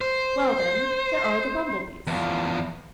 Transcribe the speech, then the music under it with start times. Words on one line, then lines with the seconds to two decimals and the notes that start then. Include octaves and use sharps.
"Well, then, there are the Bumble-Bees."
0.01 C5
2.07 E2 F3